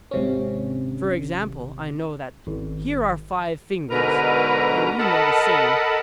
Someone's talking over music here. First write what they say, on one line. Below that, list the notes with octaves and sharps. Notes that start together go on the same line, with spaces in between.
For example, I know that here are five fingers, and you know the same.
G#1 C3 C#4
G#1
G#2 B2 D3 A#4 B4 A#5
A4 A#4 D#5 F#5 A5 B5